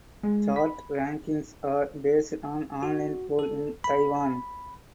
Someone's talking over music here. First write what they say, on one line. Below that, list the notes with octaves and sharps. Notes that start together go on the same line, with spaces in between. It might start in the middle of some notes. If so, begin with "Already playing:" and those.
Chart rankings are based on online poll in Taiwan.
G#3
B5
F#4
A4
B5